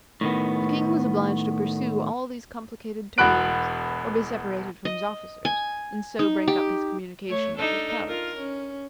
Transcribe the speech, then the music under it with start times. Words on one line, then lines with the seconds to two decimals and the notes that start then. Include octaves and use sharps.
The King was obliged to pursue all these complicated turnings, or be separated from his officers, and so break up his communication with his palace.
0.21 A2 D#3 B3
3.18 E1 E2 F#4 B5 F#6 D7
4.85 D#5
5.45 G#5
6.19 D#4
6.48 G4
7.27 A3 C#5
7.57 D4 D#4 A4
8.08 F4 A#4
8.37 C#4